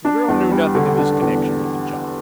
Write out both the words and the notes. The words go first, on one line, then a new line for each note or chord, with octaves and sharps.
The girl knew nothing of his connection with the job.
D4
E2
G3
D3
D4
E2